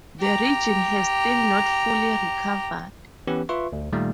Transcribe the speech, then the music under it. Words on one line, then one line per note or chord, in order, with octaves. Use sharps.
The region has still not fully recovered.
G4 A#5
E3 B3 C#4 G4 B4
F4 B4 E5 C6 C#6
D2
A#2 D#3 G3 A3 A#3